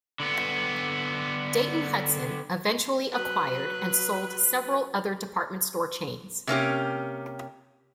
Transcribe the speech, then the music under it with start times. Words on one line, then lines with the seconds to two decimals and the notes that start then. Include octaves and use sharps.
Dayton-Hudson eventually acquired and sold several other department store chains.
0.20 D3 B3
3.12 F#3 B4
6.47 C3 A#3 C#4 G4